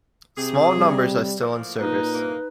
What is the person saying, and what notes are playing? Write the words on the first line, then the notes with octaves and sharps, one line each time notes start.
Small numbers are still in service.
C3 G4 G#4
G3
A2 F3 A#3
A#2 D#4 B4
G2 C3 A#3